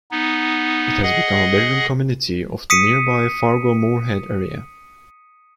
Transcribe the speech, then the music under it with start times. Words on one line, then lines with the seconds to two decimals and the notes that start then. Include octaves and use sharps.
It has become a bedroom community of the nearby Fargo-Moorhead area.
0.11 B3 D#4
1.03 G#4 D#5 F#5
2.70 D#6 B6 C#7 D#7